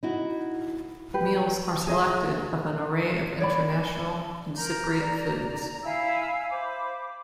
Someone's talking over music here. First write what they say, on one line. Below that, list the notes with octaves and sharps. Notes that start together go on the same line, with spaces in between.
Meals are selected of an array of international and Cypriot foods.
D#4 E4 F#4
G4 B4
G#4 D#5 E5
C#5 D5 B5
A#4 A#5 G6
D5
E4 F5 G#5 E6
C5 B5 D6